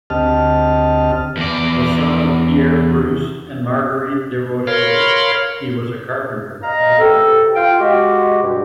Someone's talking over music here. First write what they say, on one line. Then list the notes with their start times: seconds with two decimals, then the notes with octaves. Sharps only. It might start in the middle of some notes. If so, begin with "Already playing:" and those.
The son of Pierre Bruce and Marguerite Desrosiers, he was a carpenter by trade.
0.10 D2 C4 G4 D#5 A5 F6
1.37 E2 D5
4.67 A#4 C#5 F5 B5 C6
6.63 D#5 F5 A#5
6.99 C3 E3 G4 A4
7.55 F4 F5 G5
7.79 G#3 F#4 G4
8.42 G2 B2